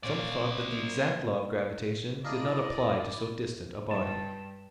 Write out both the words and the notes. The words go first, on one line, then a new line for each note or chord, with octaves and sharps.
Some thought that the exact law of gravitation did not apply to so distant a body.
A#2 C#4 C5 D5
A#3 D4 E4 G#4 D5 D#5
G2 A5